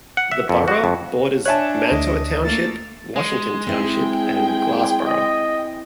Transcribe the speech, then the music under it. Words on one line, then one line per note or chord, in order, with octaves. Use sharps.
The borough borders Mantua Township, Washington Township and Glassboro.
F#5
E5
F2
F#4
F2
D4 C#5 E5 G#5 A5 F#6
D2 D#5
A3 A#3 A6
G#3
C4 E4 G#4 G5
D#5